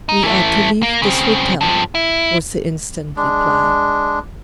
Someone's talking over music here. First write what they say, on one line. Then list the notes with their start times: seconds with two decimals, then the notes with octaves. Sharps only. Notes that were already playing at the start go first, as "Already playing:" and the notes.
"We are to leave this hotel," was the instant reply.
0.09 D#4
0.22 E3 A3
0.83 A#3
1.02 C#3 C4
1.61 G2 F3
1.95 E4
3.17 G#3 D4